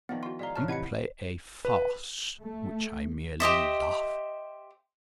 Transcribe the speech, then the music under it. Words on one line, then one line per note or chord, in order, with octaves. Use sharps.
"You play a farce, which I merely laugh at."
D#3 F3 B3 D5
E4 F#4 C6
G#3 G#4 D5 F5 A#5
A2 F3 B4 A5 F6
C3 E3 D#5 F#5 B5 G#6 C#7
B4
A3
G4 C5 D#5 E5